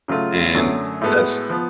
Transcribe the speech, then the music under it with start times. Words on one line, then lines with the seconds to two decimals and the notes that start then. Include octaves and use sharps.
and that's
0.08 C#3 F#3 A3 F4
0.55 F#2 D3 F#3 A3 C#4
1.01 A2 G#3 B3 F#4 A4
1.50 F3 B3